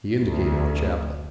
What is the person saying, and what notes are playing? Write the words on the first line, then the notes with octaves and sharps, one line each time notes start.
He indicated the chapel.
D2